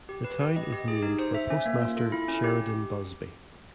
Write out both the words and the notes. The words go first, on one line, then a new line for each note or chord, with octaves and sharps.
The town is named for postmaster Sheridan Busby.
G4
B4
G4
D#5
G4
G#4
D#4
C5
E5
C#4
A#3
F4
A4
E4
C#4
G4